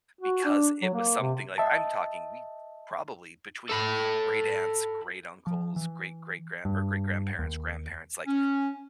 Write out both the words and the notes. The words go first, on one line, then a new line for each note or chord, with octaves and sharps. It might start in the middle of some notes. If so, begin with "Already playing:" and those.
because it was something, like, I'm talking, we probably, between great-aunts, great-uncles, great-great-grand or great-grandparents, grandparents, like,
F#4
D4
F#3
A#3
C3
D#5 E5 A5
A4 B5
F3
E3
G2
D#2
C#4